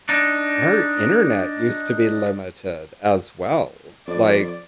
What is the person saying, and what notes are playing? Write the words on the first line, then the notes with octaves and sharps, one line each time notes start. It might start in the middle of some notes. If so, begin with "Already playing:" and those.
Our internet used to be limited as well, like
D4 D#4
F2 D5